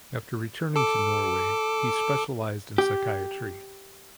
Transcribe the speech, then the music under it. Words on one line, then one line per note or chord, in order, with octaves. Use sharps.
After returning to Norway he specialised in psychiatry.
A4 D6
G4